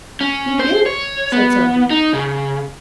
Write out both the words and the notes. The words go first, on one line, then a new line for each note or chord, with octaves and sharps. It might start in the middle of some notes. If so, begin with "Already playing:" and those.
"He did," said Sophy.
C#4
C5
C#5
B3
D#4
C#3